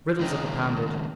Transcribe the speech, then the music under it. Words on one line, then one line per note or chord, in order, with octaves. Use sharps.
Riddles are propounded.
C#2 D#3